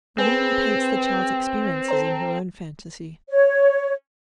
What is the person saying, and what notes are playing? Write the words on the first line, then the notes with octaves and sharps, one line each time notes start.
The woman paints the child's experiences in her own fantasy.
C4 G#4 B4
A4 C5 A#5
C#5